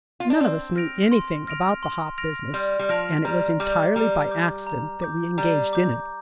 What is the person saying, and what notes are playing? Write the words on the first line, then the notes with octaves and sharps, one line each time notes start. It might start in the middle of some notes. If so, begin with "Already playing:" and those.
None of us knew anything about the hop business, and it was entirely by accident that we engaged in it.
F4
D4
C4 C6
F6 A#6 D7 F7
C6
F6 A#6 D7 F7
C6
F6 A#6 D7 F7
G3 C6
G3
F3 F6 A#6 D7 F7
G3 A#5
G3 D6 G6
G3 A#5
D6 G6
A#5
D6 G6
G3 A#5
D6 G6